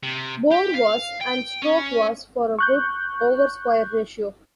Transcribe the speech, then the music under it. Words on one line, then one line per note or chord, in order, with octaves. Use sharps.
Bore was and stroke was for a good oversquare ratio.
C3
G4
F5
G5
C#4
C#6 F#6 G6